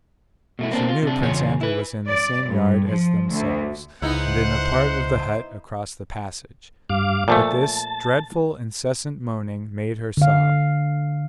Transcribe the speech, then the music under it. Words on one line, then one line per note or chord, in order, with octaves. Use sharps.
She knew Prince Andrew was in the same yard as themselves and in a part of the hut across the passage; but this dreadful incessant moaning made her sob.
B2 A3 E4
A#3 C4 D4
F4
C3 D4
E2 C#3 F4 C#5
E4 B4
D5
G2
F3
D2
C#2 B3 D#4 E4 C5 F#5
G2 F5 D6
A#2 F3 A3 A5
D3 F5